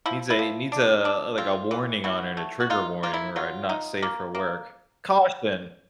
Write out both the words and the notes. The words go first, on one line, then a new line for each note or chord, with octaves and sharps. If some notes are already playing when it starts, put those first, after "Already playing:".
Needs a needs, uh a like a warning on it, a trigger warning or a not-safe-for-work, "Caution
F3 E4
E4
F3
D4
D4
C4 F4
E3
E3 E4 F#4
A3
F#4
D#4 F4
A#3 F4
E4
F#3 F4
D#4
A#3
A#3